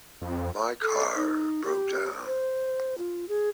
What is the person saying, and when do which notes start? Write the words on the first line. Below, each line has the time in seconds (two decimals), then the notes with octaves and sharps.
My car broke down.
0.22 F2
0.82 A4
1.15 D#4
1.65 G4
2.26 C5
2.98 F4
3.29 G#4